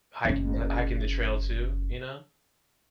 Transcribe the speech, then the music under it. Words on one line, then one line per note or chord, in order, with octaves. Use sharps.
hiking tha hiking the trail too, you know,
F#1 C#4